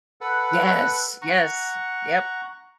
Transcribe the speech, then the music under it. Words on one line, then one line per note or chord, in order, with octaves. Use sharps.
Yes, yes, yep.
A4 B4 F#5
F#5 A#5 C#6